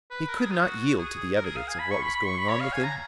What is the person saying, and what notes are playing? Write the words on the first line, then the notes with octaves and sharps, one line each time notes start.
He could not yield to the evidence of what was going on within him.
B4
A#4
G#4
F4
F#4
G#4
A#4
G#4
F5
G#5
B5
C#6
B5
B5
C#6
B5
C#5
F5
G#5
A#5